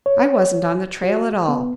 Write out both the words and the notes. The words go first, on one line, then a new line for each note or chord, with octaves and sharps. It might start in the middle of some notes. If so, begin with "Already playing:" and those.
I wasn't on the trail at all.
C#5
F#4
B3